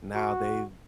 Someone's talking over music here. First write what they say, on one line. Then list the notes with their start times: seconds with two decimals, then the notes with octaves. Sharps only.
now they've
0.15 F#4